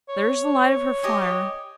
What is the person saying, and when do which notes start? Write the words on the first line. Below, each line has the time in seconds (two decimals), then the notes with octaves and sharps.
'There's the light of her fire.'
0.09 C#5
1.03 G4 D#5 G#5